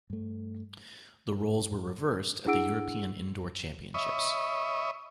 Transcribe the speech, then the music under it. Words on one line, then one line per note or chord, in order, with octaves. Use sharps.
The roles were reversed at the European Indoor Championships.
G2 A3
D4 E4 G#4 F#5 E6 D7
C#5 D#5 E5 B5 C#6 D#6